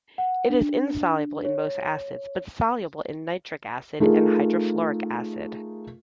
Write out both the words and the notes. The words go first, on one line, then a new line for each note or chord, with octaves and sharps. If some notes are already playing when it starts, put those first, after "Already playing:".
It is insoluble in most acids but soluble in nitric acid and hydrofluoric acid.
F#5
D4
C#5
A3 D#4 F4 G#4 A#4